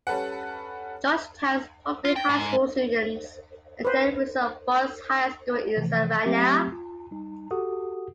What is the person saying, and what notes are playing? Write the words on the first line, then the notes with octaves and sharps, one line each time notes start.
Georgetown's public high school students attend Windsor Forest High School in Savannah.
G3 C#4 A4 B4 F#5
F4
G5
G#2
B4 C5
C3 E3 F3 A3
F#3 A3 C4 G4 E5
F4
G3 D#4
F#4 G4 A4 F#5 D#6